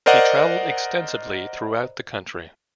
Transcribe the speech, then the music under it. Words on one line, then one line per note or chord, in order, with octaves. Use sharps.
He traveled extensively throughout the country.
A#4 C5 D5 D#5 F#5 A#5